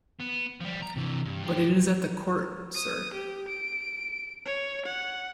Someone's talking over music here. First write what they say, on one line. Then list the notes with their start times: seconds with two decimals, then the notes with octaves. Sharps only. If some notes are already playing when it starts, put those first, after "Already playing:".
But it is at the Court, sir.
0.20 B3
0.61 F3 G3
0.82 A#5
0.96 C3 E3
1.25 G2
1.43 F3 G4
2.75 D#6
3.14 G4
3.48 D7
4.46 C#5
4.86 F#5